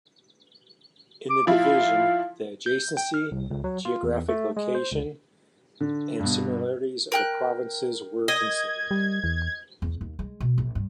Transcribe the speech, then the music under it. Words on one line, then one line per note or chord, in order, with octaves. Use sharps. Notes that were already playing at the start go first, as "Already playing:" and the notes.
In the division, the adjacency, geographical location and similarities of the provinces were considered.
D6
F3 E4 F5
G6
G5
F6
C2
C#2
F#3
F4
E2
A3
G#3
C5
C#2
D3
G2 B2
A#4 G5 F#6
D#5 G#6
G3
E2
E2
D#2
G#3
B2
A#1
G2